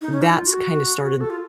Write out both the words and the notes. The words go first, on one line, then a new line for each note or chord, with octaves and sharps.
that's kinda started,
D#4
C#4
D#4
F4
F#4
A4
F4